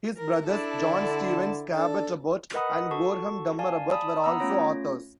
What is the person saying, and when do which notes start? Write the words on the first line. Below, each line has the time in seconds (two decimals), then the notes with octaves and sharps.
His brothers, John Stevens Cabot Abbott and Gorham Dummer Abbott, were also authors.
0.18 A#4
0.48 D4 E4 A4
0.81 D3
1.76 D4 A4
2.54 A#4 B4 D#5 F#5 B5 D#6
2.91 F#4 A4 A5 C#6
3.59 D5 F5 G#5 A5
3.92 D5 A5 B5 D#6
4.24 B3 F#5 A#5 B5 D#6 E6
4.40 A3 C#4 F4 C#5 A#6